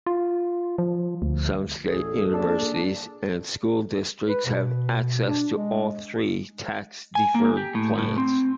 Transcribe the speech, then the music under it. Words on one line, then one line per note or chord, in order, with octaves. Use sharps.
Some state universities and school districts have access to all three tax-deferred plans.
F4
F3
D2
A1 E2 A2 G#4 A4
A#3 D4 F4 G#4 A5
B4
B2
D4
G#3
G#5
A#3
G4
A2
A2
C4